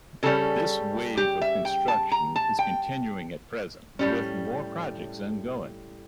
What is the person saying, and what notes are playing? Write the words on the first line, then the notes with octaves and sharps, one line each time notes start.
This wave of construction is continuing at present with more projects ongoing.
C#3 G3 C#4 A4
G4
E5
G5
A5
A#5
A5
G5
A2 G3 C#4